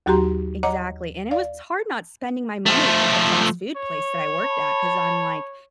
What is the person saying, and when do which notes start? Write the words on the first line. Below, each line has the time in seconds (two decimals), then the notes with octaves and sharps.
Exactly. And it was hard not spending my money at the fast food place that I worked, 'cause I'm like,
0.06 D#2 F#3 F#4 G4 A#5 C6
0.63 C#5 D#5 F#5 A#5 D6
1.31 D5 F5
2.66 F3 A3
3.76 C#5
4.43 A5 B5